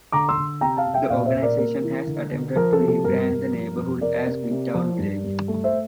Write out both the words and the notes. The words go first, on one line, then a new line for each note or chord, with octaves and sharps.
The organization has attempted to re-brand the neighborhood as Midtown Village.
D3 A#5 D6
C6 E6
D3
C3 G5 A#5
F5 A5
C3
E5 G5
A#2 D5 F5
C5 E5
A#2
A#4 D5
A#3 A#4
E3
D3
D3
F3 A#4
A4
C3
A4
G2 A#4
G2
F3
F2
C3 A#4 D5
C3
C3
F3
G2
G2
A3
C5 E5
A3